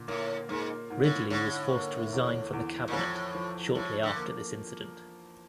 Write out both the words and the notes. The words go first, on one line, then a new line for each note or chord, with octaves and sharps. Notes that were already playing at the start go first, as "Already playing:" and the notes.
Ridley was forced to resign from the cabinet shortly after this incident.
Already playing: A#2 D3
A2 A#3
G#2 A#3
G#2
A2
A2 D3
A#3
E2
E2
A#2
A2 F3
F3
A2 F3
D3
A#3